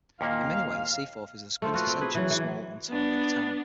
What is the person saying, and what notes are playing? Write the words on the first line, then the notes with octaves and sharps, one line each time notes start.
In many ways, Seaforth is the quintessential small Ontario town.
D#2 A#2 A#3 F5
A3 F4 C5
F4 F#4 B4
C4
G#4 B4
E3 F#3
E3
B3 D4